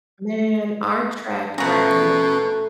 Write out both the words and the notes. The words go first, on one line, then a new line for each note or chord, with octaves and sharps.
Man, our track record
B2 A3 C#4 A#5 C#6 F#6